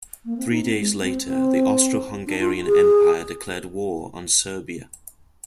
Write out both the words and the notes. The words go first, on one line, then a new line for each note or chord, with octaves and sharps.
Three days later the Austro-Hungarian Empire declared war on Serbia.
A#3
C4
D#4
C4
G#3
C4
C4
D4
F4
G#4